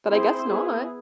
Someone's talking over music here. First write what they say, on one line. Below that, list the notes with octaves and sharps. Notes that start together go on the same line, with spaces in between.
but I guess not.
C4 E4 G#4 C5
B3 E4 G#4